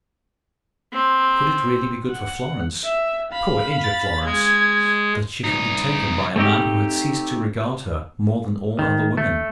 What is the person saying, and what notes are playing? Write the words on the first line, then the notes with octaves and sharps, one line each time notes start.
Could it really be good for Florence--poor injured Florence, that she should be taken by a man who had ceased to regard her more than all other women?
C4
F#5
E5
F5 B5
A6
G#3 G#6
C2 D#4
A3 C4 D#4 G4
D#3
A3